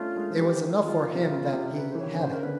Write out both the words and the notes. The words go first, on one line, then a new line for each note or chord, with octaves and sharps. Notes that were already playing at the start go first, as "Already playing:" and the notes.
It was enough for him that he had it.
Already playing: A3 C#4 D4 F4
G#3
F3
E3 G4
D#3
D#3 F4
D#3
C3
C#3
C3
B4
C5
E3 C#5
D#3
D3
C#3 C5
A#4
D3 B4